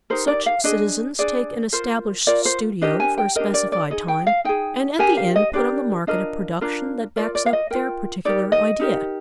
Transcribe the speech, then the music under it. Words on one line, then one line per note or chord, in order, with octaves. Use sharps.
Such citizens take an established studio for a specified time and at the end put on the market a production that backs up their particular idea.
D#4 G4 A#4 C5
D5
F5
D4 G#4 D#5
D4 G#4 D5
F4 A#4 C5
F4 A#4 D5
C5
D4 G4 A#4 D#5
G#5
G5
D4 G4 A#4 D#5
D5
D5
D#4 G#4 D#5
G5
F5
D#4 G#4 G5
D4 G4 A#4 G#5
F5
D#5
D4 G4 A#4 D5
D4 F4 A#4 D#5
D4 F4 A#4
F4 A#4 D5
D5
F5
D#5
F4 A#4 G5
D#4 G4 A#4 D5
D#5
D#4 G4 A#4